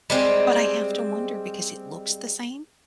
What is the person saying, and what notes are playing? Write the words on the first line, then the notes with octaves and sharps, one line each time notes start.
but I have to wonder because it looks the same,
G3 G#3 C4